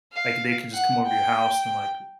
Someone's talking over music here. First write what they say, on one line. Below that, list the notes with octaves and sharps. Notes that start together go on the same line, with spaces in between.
like, they could, just, come over to your house and, like, l
F5
F#5
G5